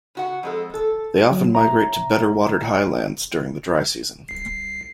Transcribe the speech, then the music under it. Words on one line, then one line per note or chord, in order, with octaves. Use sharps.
They often migrate to better watered highlands during the dry season.
C#3 F#4 F#5
F2 G#3 A4
A4
F#3
C#5 E5 A#5
C2 C7